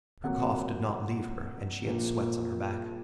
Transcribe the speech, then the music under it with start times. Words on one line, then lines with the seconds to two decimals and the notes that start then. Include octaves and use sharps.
Her cough did not leave her, and she had sweats on her back.
0.24 F2 C3 F#3 A#3 F#5
1.85 A#1 A#2 F3 A#3